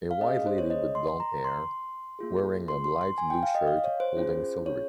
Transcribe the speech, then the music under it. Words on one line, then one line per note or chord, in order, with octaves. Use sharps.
A white lady with blondhair wearing a light blue shirt holding celery.
F5
C#4 G#4 D#5
C5
C#5
D#5
C6
A#5
C6
A#3 F4 G#4
C6
C6
C6
G#5
G5
F5
D#5
F5
C#5
C5
C#4 F4 G#4
C#5